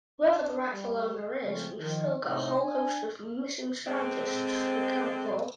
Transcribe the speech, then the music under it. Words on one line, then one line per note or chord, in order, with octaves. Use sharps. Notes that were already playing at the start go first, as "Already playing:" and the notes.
Whoever the rightful owner is we've still got a whole host of missing scientists to account for.
D4
G3
C#3 F3 G#3 A3 C4 C#4
D#3 F3
A2 C3 D#4
D4 G#5
D3 G#3 C4